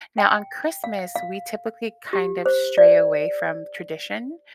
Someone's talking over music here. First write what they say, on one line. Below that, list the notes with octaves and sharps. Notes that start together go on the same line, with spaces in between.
Now, on Christmas, we typically kind of stray away from tradition.
G5
F5
F5
G4
C5
D5